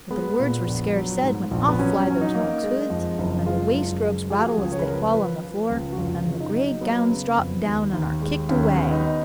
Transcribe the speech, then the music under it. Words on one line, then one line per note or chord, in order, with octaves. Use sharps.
But the words were scarce said, when off fly those monks' hoods, and the waist-ropes rattle as they fall on the floor, and the gray gowns drop down and are kicked away.
G#3 B3
A#2
A#1
F#3
G#2
A#1
B3
F#3 C#4
F#3 C#4
D#4
A#3
G#3
F2
F#1
G#3 F4
F#1
G#3
F3 G#4
F#4
G#4
C#2
C#5
B4
F3 A#4
B4
F3
F3
C#2
F#4
F1 F4
C#3
D#4
F#3
F#3 B3
C#3
F2
D#2
D#2
G#3
D#2 C#4
B3
D#4